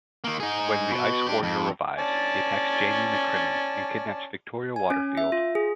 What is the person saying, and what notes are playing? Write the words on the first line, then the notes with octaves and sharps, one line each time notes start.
When the Ice Warrior revives, he attacks Jamie McCrimmon and kidnaps Victoria Waterfield.
D#3 A#3
D#4 G#4
B2
D4 G4
F2
C#4 D5 A5
G#5
C#4
E5
F4
G#4